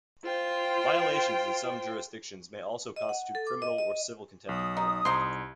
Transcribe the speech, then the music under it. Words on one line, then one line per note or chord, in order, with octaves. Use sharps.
Violations in some jurisdictions may also constitute criminal or civil contempt of court.
F4 C5 G5
D#5
F#5
A4
D6
D#5
D#5
B1 D#6
D#4
C2 D#4 C5 C6